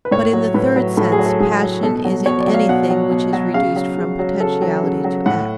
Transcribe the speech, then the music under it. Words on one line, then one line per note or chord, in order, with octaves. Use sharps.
But in the third sense passion is in anything which is reduced from potentiality to act.
B4
A2 C#5
F#3
A2 B4
F#3 B4
A2 A4
G#4
F#3
A4
A2 G#4
F#3
B2 A4
F#3
B2 C#5
D5
F#3
F5
B2 F#5
F#3
B2
F#3
C#3 F5
F#3
C#3
F#3
C#3 A4
F#3
C#3
F#3
A2 F#5